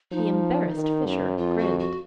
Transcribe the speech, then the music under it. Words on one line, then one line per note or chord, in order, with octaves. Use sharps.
The embarrassed Fisher grinned.
F3 D#4
D#3
F#2
F2 F4
F#4
F#4